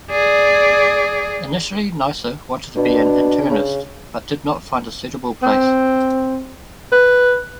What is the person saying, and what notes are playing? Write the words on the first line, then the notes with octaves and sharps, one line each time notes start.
Initially Neisser wanted to be an internist, but did not find a suitable place.
G#4 D5
B2 D4
C#3
C4
B4